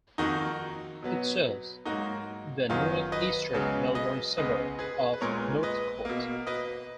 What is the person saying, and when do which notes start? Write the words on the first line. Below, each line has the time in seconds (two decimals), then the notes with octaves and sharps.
It serves the north-eastern Melbourne suburb of Northcote.
0.18 F2 D#3 A#3 D#4 F#4
1.02 B2 F#3 B3
1.85 G#2 F#3 A#3 D#4 F#4
2.69 F#2 D#3 F#3 B3 F4
3.12 B4 D#5
3.53 C#2 C#3 F#3 B3
3.95 B4 D#5
4.37 C#2 C#3 G#3 B3 B4 D#5
4.79 G#4 B4
5.13 B4
5.21 A#2 G#3 B3 A#4 C#5
5.63 B4 D#5
6.05 B2 A#3
6.47 B4 D#5